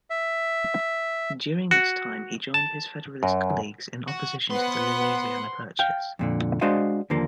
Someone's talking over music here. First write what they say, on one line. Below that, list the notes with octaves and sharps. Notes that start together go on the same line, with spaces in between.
During this time he joined his Federalist colleagues in opposition to the Louisiana Purchase.
E5
F#4
A5
F#2
F#4
B3 B4 C5 F#5 C6
F5 G5
F2 A#2 D3
G#3 D4 F#4 C5 D#5 F5
D#2 D3 F3 A#3